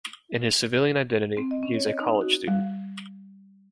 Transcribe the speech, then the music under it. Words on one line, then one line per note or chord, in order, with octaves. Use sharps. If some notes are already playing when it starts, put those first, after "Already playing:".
In his civilian identity, he is a college student.
C4
D#5
C#4
C#5
D#5
D#4
F#4
G3